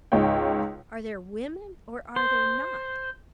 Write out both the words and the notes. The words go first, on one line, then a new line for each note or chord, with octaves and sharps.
Are there women or are there not?
C#2 G#2 C#5 G5
C5